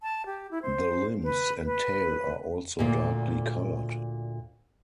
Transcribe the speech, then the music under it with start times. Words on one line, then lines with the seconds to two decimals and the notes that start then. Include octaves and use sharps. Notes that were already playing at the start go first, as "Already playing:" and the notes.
The limbs and tail are also darkly coloured.
0.02 A5
0.26 G4
0.51 E4
0.62 C5
1.23 B4
1.65 B4
2.79 D2 A#2 A#3